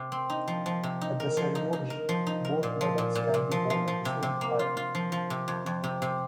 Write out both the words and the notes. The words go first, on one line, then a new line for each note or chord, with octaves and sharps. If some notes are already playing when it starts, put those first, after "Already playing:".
At the ceremony, both medals can be worn at the same time.
Already playing: C3
C4
D#4
F3
F3
C3
D#4
A#4
F3
D#4
D#4
A#4
F3
D#4
A#4
A#2
F3
A#2
A#2
A#2
F3
F3
F3
C3
C3
A#3
F4
F4
F3
F3
C3
F2
F2
C3
C3